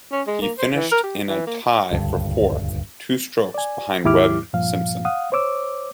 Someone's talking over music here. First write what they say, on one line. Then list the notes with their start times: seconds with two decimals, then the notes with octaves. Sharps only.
He finished in a tie for fourth, two strokes behind Webb Simpson.
0.12 C#4
0.27 G#3
0.42 A#3
0.58 C5
0.75 E3
0.92 A#4
1.03 G4
1.29 E3
1.47 A#3
1.91 D#1 C#2 G2 D3
3.54 D5 G#5
4.05 D#2 G#2 E4 G4 D6 F6
4.53 G2 A#2 F3 F5
5.05 F5 F#5 D#6
5.32 C5 C#5 D6 E6